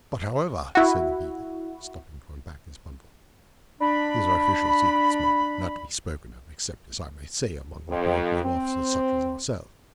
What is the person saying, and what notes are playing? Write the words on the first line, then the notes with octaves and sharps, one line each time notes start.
But, however,' said the beadle, stopping to unpack his bundle, 'these are official secrets, ma'am; not to be spoken of; except, as I may say, among the porochial officers, such as ourselves.
E4 F#4
D4 B5
F2
C4